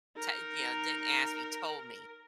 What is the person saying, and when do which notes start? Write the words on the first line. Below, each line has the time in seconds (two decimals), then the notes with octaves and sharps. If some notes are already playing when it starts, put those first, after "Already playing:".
To you know, didn't ask me, told me.
0.17 D#4 A#4